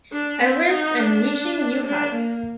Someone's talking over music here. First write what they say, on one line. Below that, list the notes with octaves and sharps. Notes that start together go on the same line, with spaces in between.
Everest and reaching New Heights.
D4
C4
D#4
D4
D4
A#3